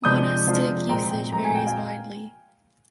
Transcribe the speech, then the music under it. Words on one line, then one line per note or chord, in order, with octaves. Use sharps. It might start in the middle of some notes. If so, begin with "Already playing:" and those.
Monastic usage varies widely.
C3 F3 G#3 D4 F4 D#6 G6
C3 F3 G#3 D4 F4
A#2 G#3 C4 G5 A#5
G5
A#2 G#3 C4 A#5
G#5
G5
F5 G#5